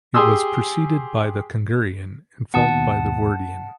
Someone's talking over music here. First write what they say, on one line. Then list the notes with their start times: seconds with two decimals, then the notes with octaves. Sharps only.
It was preceded by the Kungurian and followed by the Wordian.
0.14 G4 G#4 C6 D#6 E6
2.54 D#2 B2 F#5 A5 D#6